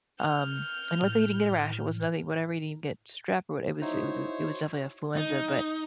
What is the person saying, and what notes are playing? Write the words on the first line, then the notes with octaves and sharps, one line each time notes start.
Um, and, luckily, he didn't get a rash, it was nothing whatever, he didn't get strep, or what it was it was a it was definitely influenza. But,
F6 G6
A2
D#4 E4 F#4 C5 C#5 D#5 E5
D#4